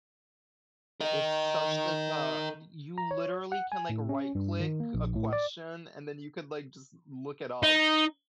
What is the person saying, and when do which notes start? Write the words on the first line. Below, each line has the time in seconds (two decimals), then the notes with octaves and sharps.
it's such, like, a y you literally can, like, right click a question, and then you could, like, just look it up,
1.01 A#4 D#5
2.98 A#5
3.11 C#5
3.52 F#5
3.72 G#5
3.89 A2
4.09 C#4
4.35 G2
4.60 D#3
4.80 A#3
4.94 A#1
5.16 A2
5.33 D5
7.63 D#4